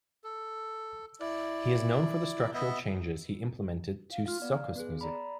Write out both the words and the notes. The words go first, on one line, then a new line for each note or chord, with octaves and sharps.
He is known for the structural changes he implemented to soukous music.
A4
E4 D5
B3 D#5 E5
F5
F4 F5 F6
B3 D5
F5
B3 G#4 B4
D5 A#5 B5